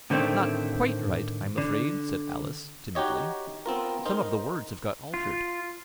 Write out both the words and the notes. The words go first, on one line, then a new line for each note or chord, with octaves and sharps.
'Not QUITE right, I'm afraid,' said Alice, timidly; 'some of the words have got altered.'
A2 D3 D#3 A3 C4
D3
D#4 F#4 G4 C#5 D#5
B3 C4 F4 A#4
D#4 A#4 C5
F4